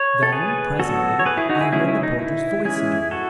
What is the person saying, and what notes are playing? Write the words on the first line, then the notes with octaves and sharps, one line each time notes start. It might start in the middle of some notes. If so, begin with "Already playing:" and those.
Then presently I heard the porter's voice again.
Already playing: C#5
A4
G#4 B4
F#3 B3 F#4 A4
C#5
G#4 B4
E4 G#4
D#4 F#4
E4 G#4
C#3 F#3 A3 C#4 E4 G#4
E4
D#4
E4
E3 G#3 C#4 E4 G#4
F#4 A4